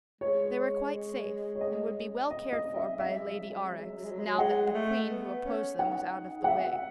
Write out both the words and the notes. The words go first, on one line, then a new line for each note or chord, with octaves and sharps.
They were quite safe and would be well cared for by Lady Aurex, now that the Queen who opposed them was out of the way.
G#3 C#5
C#5
D#5
D#5
D#5
E5
F#3 E5
G#3
F#3
G#3
F#3
G#3
F#3
G#3
F#3
G#3
F#3
G#3
F#3
G#3
F#3
G#3
F#3
G#3
F#3
G#3 F#5
A3
B3
C#4
D#4 F#5
G#4
F#5
F#4 E5